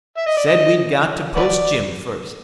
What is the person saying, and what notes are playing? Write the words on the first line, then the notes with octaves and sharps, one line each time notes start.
Said we'd got to post Jim first.
E5
D#5
D5
D#5
F#4 B4 D5